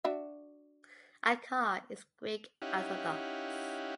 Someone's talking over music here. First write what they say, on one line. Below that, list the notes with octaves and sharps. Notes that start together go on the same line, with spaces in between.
Akar is Greek Orthodox.
D4 F#4 E5
C#4 D#4 E4 G4 F5 F#5